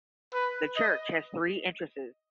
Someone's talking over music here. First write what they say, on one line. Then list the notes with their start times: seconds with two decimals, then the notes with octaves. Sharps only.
The church has three entrances.
0.33 B4
0.77 D#5